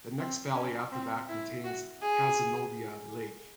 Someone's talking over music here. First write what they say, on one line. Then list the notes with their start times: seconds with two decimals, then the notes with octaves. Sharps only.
The next valley after that contains Cazenovia Lake.
0.18 C4
0.54 C#4
0.92 C4
1.29 E4
1.65 F#4
2.02 G#4